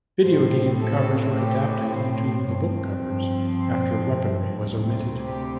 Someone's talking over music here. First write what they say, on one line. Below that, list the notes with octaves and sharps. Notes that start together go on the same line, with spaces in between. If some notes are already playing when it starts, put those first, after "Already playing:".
Video game covers were adapted into the book covers after weaponry was omitted.
A2 A3 C4 C5
A4
G4
C5
G2 F3 C4
C5
D2 C3 G3 C4
G4